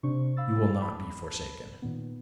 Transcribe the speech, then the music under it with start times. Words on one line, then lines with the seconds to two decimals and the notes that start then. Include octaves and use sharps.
You will not be forsaken.'
0.03 C3 D4 C5 C#6
0.37 F5 B5 E6 A6
0.82 A5 B5
1.82 A#2 D#3 B3